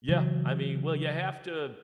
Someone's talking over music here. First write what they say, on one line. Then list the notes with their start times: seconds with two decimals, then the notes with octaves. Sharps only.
Yeah, I mean, well, you have to,
0.09 C#3 E3 F#3